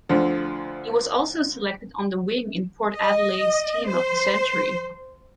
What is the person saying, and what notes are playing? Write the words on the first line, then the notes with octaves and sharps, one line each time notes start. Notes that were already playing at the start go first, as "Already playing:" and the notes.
He was also selected on the wing in Port Adelaide's Team of the Century.
D2 D3 F3
D#5
C5